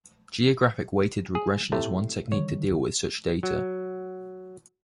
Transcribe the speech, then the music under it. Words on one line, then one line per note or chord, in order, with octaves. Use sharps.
Geographic weighted regression is one technique to deal with such data.
G#4
A2 C3 A3
D3 D#3 G3 C#5
D2
F#3